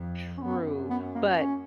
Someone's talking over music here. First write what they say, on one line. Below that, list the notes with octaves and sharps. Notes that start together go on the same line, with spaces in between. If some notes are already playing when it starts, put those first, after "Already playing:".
true, but,
Already playing: F2
C#4
F#2 B3
B3
A#3
C#4